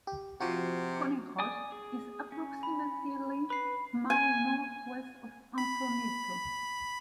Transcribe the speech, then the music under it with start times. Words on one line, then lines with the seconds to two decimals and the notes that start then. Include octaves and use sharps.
Conejos is approximately a mile northwest of Antonito.
0.07 G4
0.40 C3 F3 F#4
1.38 D5 G#5 D#6
1.72 G#4
2.32 C#4
2.63 B5
3.50 B4 B5 C7
4.10 G#5
5.58 B5